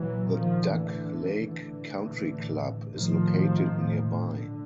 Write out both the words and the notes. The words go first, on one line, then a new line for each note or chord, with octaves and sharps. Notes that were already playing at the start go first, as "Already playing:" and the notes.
The Duck Lake Country Club is located nearby.
Already playing: A#2 E3 F#3
D#3 F3
A2 D3 E3
A2 D3 E3
A2
A2 D#3 F3
A2
D3